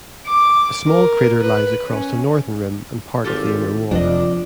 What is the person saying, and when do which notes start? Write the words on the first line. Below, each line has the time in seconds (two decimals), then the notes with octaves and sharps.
A small crater lies across the northern rim and part of the inner wall.
0.26 D6
0.85 A#4
1.42 B4
1.87 C#4
3.24 G#1 F4 G4 A4
3.91 F1 F2 F3 D4 D#5